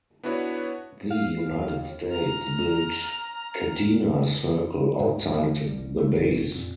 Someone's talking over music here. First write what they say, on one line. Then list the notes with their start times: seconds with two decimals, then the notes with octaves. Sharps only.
The United States built Kadena Circle outside the base.
0.23 B3 D4 E4 F#4 B4 C#5
1.10 F5
1.46 D#2
2.11 A#5 F6
4.99 D2 G#2 B2 G#3
5.38 D3 A3 A#3
5.67 E1 C2 G3
5.98 A3
6.15 G1 A#2 C#3
6.54 F2 A#2 C4